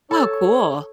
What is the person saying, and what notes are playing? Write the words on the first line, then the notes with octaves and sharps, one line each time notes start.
Oh, cool.
A4 C#5